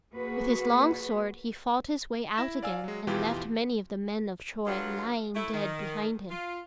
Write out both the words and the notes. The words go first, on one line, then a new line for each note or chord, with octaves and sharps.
With his long sword he fought his way out again, and left many of the men of Troy lying dead behind him.
A#3 F#4 G#4 B4
E4 A#6 E7
D5 F5 G#5 E6
F#3 G#3
F2 B2 E3 F4 G4
G2 F#3 F4 A4 F#5
A3 E4
D#3
F4